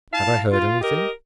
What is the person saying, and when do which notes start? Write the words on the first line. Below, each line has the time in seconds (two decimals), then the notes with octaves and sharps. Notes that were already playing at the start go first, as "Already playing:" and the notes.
Had I heard anything?
0.13 E4 F5 A5
0.51 F4
0.81 G4 A#4 D#5